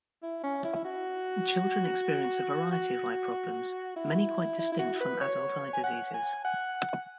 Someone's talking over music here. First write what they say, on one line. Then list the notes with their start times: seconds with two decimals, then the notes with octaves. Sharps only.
Children experience a variety of eye problems, many quite distinct from adult eye diseases.
0.23 E4
0.43 C#4
0.64 E4
0.75 E4
0.85 F#4
2.72 F#4
3.96 E4
4.59 E4
4.72 E4
4.79 F#4
5.00 B4
5.21 C#5
5.73 G#5
5.83 F#5
6.14 G#5
6.45 F#5